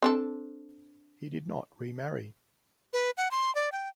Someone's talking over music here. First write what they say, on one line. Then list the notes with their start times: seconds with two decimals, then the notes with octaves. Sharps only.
He did not remarry.
0.02 C4 D4 A4
2.93 B4
3.17 F#5
3.31 C6
3.55 D5
3.72 G5